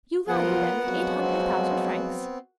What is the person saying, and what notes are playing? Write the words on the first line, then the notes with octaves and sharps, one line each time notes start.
"You value them at eight hundred thousand francs?"
F3 B3 F4 A#4 F#5
F2 F3 F#3 G#3 F#4
B3 C4